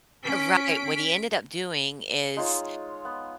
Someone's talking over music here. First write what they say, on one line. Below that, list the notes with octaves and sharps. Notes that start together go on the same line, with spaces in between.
Right. What he ended up doing is,
C#4 B6 D7
G#3 D#4 F4 C#5
B3